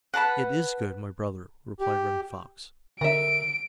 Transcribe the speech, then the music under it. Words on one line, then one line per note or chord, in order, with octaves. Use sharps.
"It is good, my brother," replied Running Fox.
B4 F#5 A5 B5
G4
D3 A#4 E5 D7